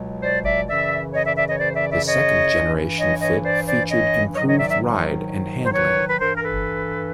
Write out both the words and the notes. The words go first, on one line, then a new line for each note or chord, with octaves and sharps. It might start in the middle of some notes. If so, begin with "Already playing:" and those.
The second generation Fit featured improved ride and handling.
Already playing: C#2 B2 F#3
C5 D5
D5 E5
F#2 C#3 E3 D5 E5
C#5 D#5
D5 E5
D5 E5
C#5 D#5
C5 D5
D5 E5
D5 E5
C#5 D#5
G2 E3
C#5 D#5
C#5 D#5
C5 D5
C5 D5
C#5 D#5
G#2 D#3 F#3 C#5 D#5
C#5 D#5
D5 E5
D5 E5
C5
B4 C#5
B4
G2 E3 A#4 C5
A#4
A4 B4